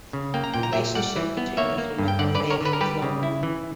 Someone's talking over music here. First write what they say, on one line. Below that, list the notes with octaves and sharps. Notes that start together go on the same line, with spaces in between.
The relationship between these women, if any, is not known.
C#3
A#3 G5
A#5
A#2 G5
A#5
A#2 E5 G5
G3 D5 F#5
E3
B3
A#3 C#5 E5
A#3
G2
G5
D3 D5 F#5
B4 D5
D3
A#4 C#5
D3 B4
A#4
G3 G4 B4
C#3
E4
E3